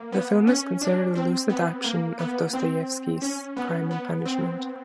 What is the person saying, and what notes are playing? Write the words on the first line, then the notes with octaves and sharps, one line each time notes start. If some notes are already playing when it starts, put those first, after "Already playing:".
The film is considered a loose adaptation of Dostoyevsky's "Crime and Punishment".
Already playing: A#3
B3
C#4
D4
C4
B3
A#3
B3
C4
C#4
B3
B3
C4